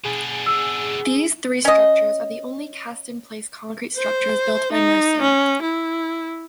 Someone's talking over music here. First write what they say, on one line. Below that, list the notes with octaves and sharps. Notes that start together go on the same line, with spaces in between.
These three structures are the only cast-in-place concrete structures built by Mercer.
B2 D4 G#4
E6
C#4 D#5
C5
D#4
C#4
E4